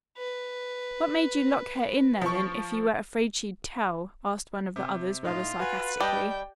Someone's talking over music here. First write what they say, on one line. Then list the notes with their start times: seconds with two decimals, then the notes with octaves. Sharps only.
"What made you lock her in there, then, if you were afraid she'd tell?" asked one of the others rather sarcastically.
0.18 B4
2.22 F3 C#6
4.76 C3
5.25 A2 D#4 F4
5.59 F#4 B4 G#5
6.00 G3 D#5 G5 A5 G6